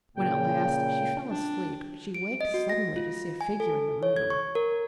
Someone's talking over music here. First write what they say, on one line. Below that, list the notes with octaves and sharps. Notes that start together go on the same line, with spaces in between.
When at last she fell asleep she waked suddenly to see a figure in the room.
A#2 C#3 G5
D4
D7
D#5
F#4
A#6
F4
G#5
A4
C#5
G#6
C#6
A#4